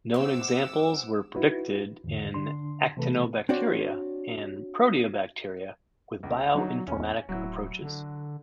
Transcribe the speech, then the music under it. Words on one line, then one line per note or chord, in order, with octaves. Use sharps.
Known Examples were predicted in Actinobacteria and Proteobacteria with bioinformatic approaches.
F#2 C4 F#5 D6 E6
D#4 E4 F#4 B4
E2 G#2 D3
D3 D4 C6
C3 E3 A3 A4 B4
C4 D4 F#4 C#5 D5
C#2
D3 F#3 D#4
E2 C#4
D1 F#3 E4
D3